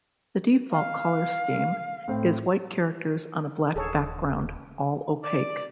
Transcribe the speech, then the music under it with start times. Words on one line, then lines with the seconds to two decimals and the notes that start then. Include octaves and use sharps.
The default color scheme is white characters on a black background, all opaque.
0.71 F5
2.08 A2 C4
3.76 D#1 G#4 A4 C#5
5.24 D5